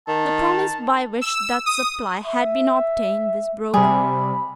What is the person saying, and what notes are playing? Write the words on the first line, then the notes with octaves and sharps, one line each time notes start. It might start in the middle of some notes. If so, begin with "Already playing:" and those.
The promise by which that supply had been obtained was broken.
D#3 A5
E6
D#6
E5
C3 G3 G#4 B5